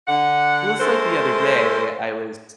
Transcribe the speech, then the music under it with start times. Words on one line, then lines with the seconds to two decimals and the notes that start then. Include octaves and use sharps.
Well, it's like the other day, I was
0.08 D3 F#5
0.79 G#3 A3 A4 A#4 C5